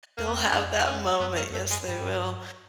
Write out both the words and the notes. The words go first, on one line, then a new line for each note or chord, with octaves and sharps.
They'll have that moment, yes they will.
E2 A#3
B3
C4
C#4
F#2 D4
F2
E2
F2 C#4
F#2 B3
A#3
F2
F#2 A3
G#3
G2 G3